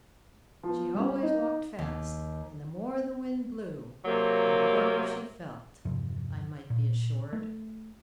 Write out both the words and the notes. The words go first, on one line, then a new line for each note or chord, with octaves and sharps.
She always walked fast, and the more the wind blew, the warmer she felt, I might be assured.
F3 B3
G3 C#4
D#4
D#2
C3 F#3 A#3
E2 G2 C3 F3
A#2
A3